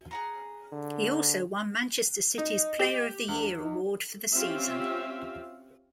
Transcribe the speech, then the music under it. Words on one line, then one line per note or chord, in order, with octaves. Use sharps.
He also won Manchester City's Player of the Year award for the season.
G#4 F#5 A#5
D3
D#4 D#5
G4
E2 D4
D#4
C4 C#4 F4 G4 E5 F5